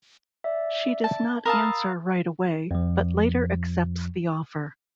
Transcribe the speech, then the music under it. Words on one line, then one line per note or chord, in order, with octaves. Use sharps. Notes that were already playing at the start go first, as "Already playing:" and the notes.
She does not answer right away, but later accepts the offer.
D5 E5
A5
A#4 F5 A5 B5 D#6 E6
F2 F3